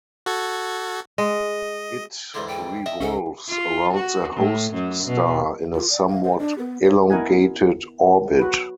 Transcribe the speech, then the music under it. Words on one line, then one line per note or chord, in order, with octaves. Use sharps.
It revolves around the host star in a somewhat elongated orbit.
F#4 A4 G#6
G#3 D#5
E2 G#2 D3 C6
G5
D#5 E5
C#2 C#4 A4
F4
F#4
A2
F#2
B2
F4
D5
F5
C5
D4
B3
C#5
B3 E4 A#4 D#5 F#5 G#5
F#4 B4